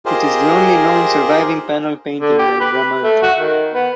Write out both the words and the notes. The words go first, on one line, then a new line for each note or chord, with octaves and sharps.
It is the only known surviving panel painting by Bramante.
F4 G4 G#4 A#4 C5 D#5
D3
G4
B4
A3
F#4
D#3
B3